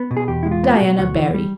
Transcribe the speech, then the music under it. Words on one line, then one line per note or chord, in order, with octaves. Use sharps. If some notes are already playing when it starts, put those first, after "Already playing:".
Diana Barry.
Already playing: B3
B2
G#4
E2 G4
G#3 E4
F4
B3
F#4
B2
D2 F#4
E3
G3